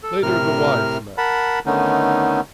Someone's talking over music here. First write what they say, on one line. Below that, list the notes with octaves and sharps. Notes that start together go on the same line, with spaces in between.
Later the wives met.
A4
A2 C3 A#4 F6
A#4 F#5 A5 B5
D3 D#3 A3 B3 C#4 D#4